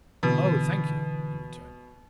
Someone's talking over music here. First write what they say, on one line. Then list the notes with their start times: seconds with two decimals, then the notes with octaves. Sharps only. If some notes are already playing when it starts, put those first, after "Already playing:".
"Oh, thank you!" he returns.
0.23 B2 D3 E3